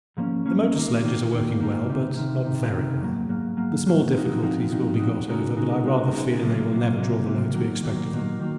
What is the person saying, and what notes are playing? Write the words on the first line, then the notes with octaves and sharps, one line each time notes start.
The motor sledges are working well, but not very well; the small difficulties will be got over, but I rather fear they will never draw the loads we expect of them.
G#2 F3 A#3 C#4
G#2 F3 A#3 C#4
D#2 D#3 A#3
D#2 D#3 A#3
D#2 D#3 A#3
D#2 D#3 A#3
C#2 C3 D#3
C#2 C3 D#3
C#2 C3 D#3
C#2 C3 D#3
G#2 F#3 A#3
G#2 F#3 A#3
G#2 F#3 A#3
G#2 F#3 A#3
A#2 F3 C4 D#4 F#4
A#2 F3 C4 D#4 F#4
A#2 F3 C4 D#4 F#4
A#2 F3 C4 D#4 F#4
C#3 G#3 D#4 F#4 A#4
C#3 G#3 D#4 F#4 A#4
C#3 G#3 D#4 F#4 A#4
C#3 G#3 D#4 F#4 A#4
C#2 C3 F#3 A#3
C#2 C3 F#3 A#3
C#2 C3 F#3 A#3
C#2 C3 F#3 A#3
D#2 D#3 F#3 A#3
D#2 D#3 F#3 A#3
D#2 D#3 F#3 A#3
D#3 F#3 A#3